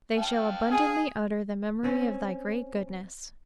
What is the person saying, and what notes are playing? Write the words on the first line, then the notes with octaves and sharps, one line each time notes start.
"They shall abundantly utter the memory of thy great goodness."
F5 G5 A5
G#4
C4 C#4